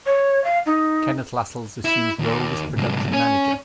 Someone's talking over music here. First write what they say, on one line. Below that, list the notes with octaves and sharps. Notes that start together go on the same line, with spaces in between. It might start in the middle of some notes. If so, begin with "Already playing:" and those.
Kenneth Lascelles assumes role as production manager.
C#5
F5
D#4
E4
D#2
C2 G#2
C#4